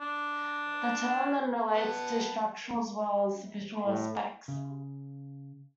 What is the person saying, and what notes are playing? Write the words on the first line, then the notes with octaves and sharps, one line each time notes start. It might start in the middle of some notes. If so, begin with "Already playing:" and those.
The term then relates to structural as well as visual aspects.
D4
B3 F#5 A5
A2
C#3